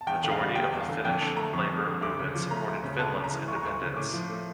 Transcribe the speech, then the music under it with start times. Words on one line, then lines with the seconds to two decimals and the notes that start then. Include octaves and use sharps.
The majority of the Finnish labor movement supported Finland's independence.
0.01 A5
0.07 E2 G5
0.24 D3 G5
0.31 F5
0.40 G3
0.55 E2 G5
0.72 E2
0.80 F5
0.88 D3
1.04 F2 G5
1.21 D3 A5
1.37 A3 A#5
1.53 F2 C#6
1.69 F2
1.86 D3
2.01 D2 D6
2.19 C#3
2.35 F3
2.51 A3 A#5
2.67 D2
2.83 C#3
2.99 D2 A5
3.15 C#3
3.24 A#5
3.32 E3
3.48 D2 C#6
3.55 A#5
3.63 D2 C#6
3.81 C#3
3.96 A2 D6
4.13 F3
4.29 A3